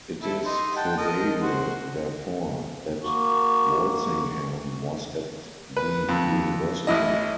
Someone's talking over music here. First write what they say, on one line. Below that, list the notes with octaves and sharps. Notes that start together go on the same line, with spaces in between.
It is probable, therefore, that Walsingham was at the university.
E4 A4
D#4 C6
F#5 G5 A5
A#4 D#5 A5
F#4 C5 F#5
A#3 F#4
B4
F2
A1 E4 D#5